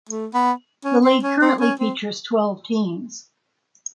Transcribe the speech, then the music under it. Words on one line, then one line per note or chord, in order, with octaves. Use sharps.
The league currently features twelve teams.
A3
B3
C#4
C4
C#4
C4
C#4
C4